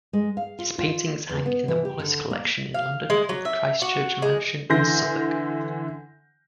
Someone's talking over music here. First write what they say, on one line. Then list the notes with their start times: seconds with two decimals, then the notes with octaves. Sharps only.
His paintings hang in the Wallace Collection in London and Christchurch Mansion in Suffolk.
0.13 G#3
0.37 F5
0.59 F4
0.78 F4
1.29 E2
1.46 B3
1.68 E3
1.85 G4
1.99 D3
2.31 A#3
2.74 F5
3.10 G#3
3.29 F#3
3.45 E5
3.82 F#4
4.22 G#3
4.70 D3 E3 C6 G6 A#6